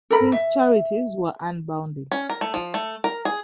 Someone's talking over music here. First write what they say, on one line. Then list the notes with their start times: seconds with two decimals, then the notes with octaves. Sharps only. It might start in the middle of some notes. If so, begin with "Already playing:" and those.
His charities were unbounded.
0.10 A4 A#4 B5
0.32 E5
2.12 C#4
2.30 A#4
2.41 A3
2.54 F3
2.74 A3
3.04 A#4
3.25 G#4